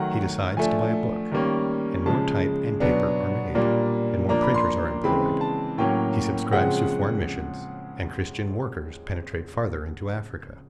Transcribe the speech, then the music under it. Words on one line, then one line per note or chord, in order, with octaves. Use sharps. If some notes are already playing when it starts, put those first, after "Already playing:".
He decides to buy a book, and more type and paper are made, and more printers are employed; he subscribes to foreign missions and Christian workers penetrate farther into Africa.
Already playing: D#3 F#3 A3 F#5
F3 A3 D4 G#5
D#3 G3 A#3 C#4
C#3 F3 G#3 A5
B2 F#3 B3 D4
A#2 G3 A#3 D4
F3 A#3 D4 A#5
B5
C6
C#3 E3 G#3 C4 B5
A5
A2 F#3 A#3 C#4 G5
C#3 F3 G#3 C4 F#5